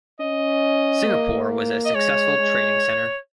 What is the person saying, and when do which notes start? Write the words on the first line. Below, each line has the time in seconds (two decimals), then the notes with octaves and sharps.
Singapore was a successful trading centre.
0.20 C#4 D#5
1.08 A#3
1.85 D#5
1.95 G#3 C#5
2.39 G#3